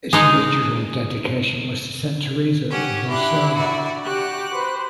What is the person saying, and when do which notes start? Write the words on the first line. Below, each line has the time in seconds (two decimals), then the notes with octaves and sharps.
Its original dedication was to Saint Theresa of Lisieux.
0.13 G#3 D#4
2.70 C#4 G4 F#5
3.08 D4 E4 G4 F#6
3.54 F#4 D5
4.04 F#4 G4 F#6
4.53 B4 C5